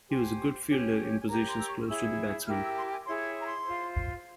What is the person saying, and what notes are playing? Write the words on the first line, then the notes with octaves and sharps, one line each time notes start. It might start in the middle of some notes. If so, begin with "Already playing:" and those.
He was a good fielder in positions close to the batsmen.
G4 C5 G#5
C#4 G4 C#5
G#5
G4 A#4 C#5 A#5
C6
E6
C#6
F6
E4 G#4 C#5 E6
G6
E4 G4 A#4 F6
E6
C6
G#5
E4 G#4 C#5 C6
A#5
C6
F4 C5